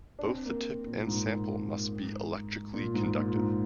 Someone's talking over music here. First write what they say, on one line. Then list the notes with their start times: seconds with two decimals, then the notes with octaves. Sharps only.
Both the tip and sample must be electrically conductive.
0.19 D4
0.24 C4
0.45 A#3
0.87 A#2
1.07 G#2
2.73 A#2
2.94 G#2
3.15 A#2
3.36 G#2